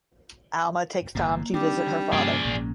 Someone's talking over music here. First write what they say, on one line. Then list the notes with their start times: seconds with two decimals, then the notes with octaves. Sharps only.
Alma takes Tom to visit her father.
1.15 G1 E2 A2 A#3
1.54 G3 C4 D4 D#4 D6
2.12 G2 C3 F3 A#3 C#4 G#4 D5
2.45 A#1 G#2